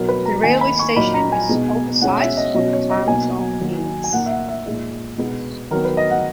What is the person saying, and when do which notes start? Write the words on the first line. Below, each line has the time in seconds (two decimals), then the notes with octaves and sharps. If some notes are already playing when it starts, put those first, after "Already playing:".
The railway station is oversized for the town's own needs.
Already playing: B2 F#3 B3 D#4 A#4
0.09 B4
0.26 A#5
0.43 D#3 A#3 D#4 G#5
0.61 B5
0.79 C#6
0.96 A#2 F#3 A#3 D#4 B5
1.14 A#5
1.32 G#5
1.49 B2 G#3 B3 D#4
2.02 B2 G#3 C#4 F#5
2.20 E5
2.37 D#5
2.54 B2 F#3 C#4 D#5
2.73 C#5
2.90 D#5
3.07 B2 F#3 A#3 D#4 G#5
3.60 D#3 F#3 A#3 D#4
4.04 G#5
4.12 A#2 A#3 D#4 F#5
4.26 E5
4.31 F#5
4.49 E5
4.66 A#2 G#3 D#4
5.18 B2 G#3 B3 D#4
5.71 D#3 F#3 B3 A#4
5.85 B4
5.97 D#5
6.10 F#5